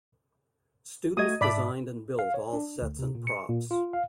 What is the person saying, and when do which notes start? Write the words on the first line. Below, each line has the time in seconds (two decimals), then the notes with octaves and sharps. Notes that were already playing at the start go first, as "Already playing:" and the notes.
Students designed and built all sets and props.
1.17 A3 F#4 D#5 D#6 G#6
1.41 G#2 D5 E5 A5 B5
2.19 F5
2.34 C#5
2.53 D4
2.82 D2
2.99 C3
3.15 A#2
3.27 C#7
3.49 A#2
3.71 F4
3.93 F5